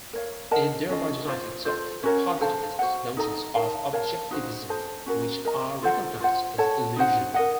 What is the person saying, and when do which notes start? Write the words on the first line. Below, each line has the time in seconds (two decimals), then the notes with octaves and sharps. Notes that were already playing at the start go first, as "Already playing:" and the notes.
It thereby denies itself the positivist notions of objectivism, which are recognised as illusion.
0.13 A#4 C#5 F5
0.51 A#4 D#5 F#5 A5
0.89 C#4 F4 A4 D#5
1.27 F4 C5 F5
1.65 F4 A4 C5
2.03 C#4 F#4 A#4 C#5
2.41 A4 C5 F5 A5
2.79 F#4 C5 F#5
3.17 D#4 A4 D#5 A#5
3.55 D#4 A#4 F5 A5
3.93 A#4 C#5 F5 A5
4.31 D#4 F#4 C5
4.69 A4 C5 D#5 A5
5.06 C#4 F#4 A#4
5.45 A#4 D#5 A#5
5.82 F4 A4 C5 F#5
6.20 F4 C5 F#5
6.58 A4 C#5 F#5 A5
6.96 D#4 F#4 C5 F#5
7.34 A#4 D#5 F#5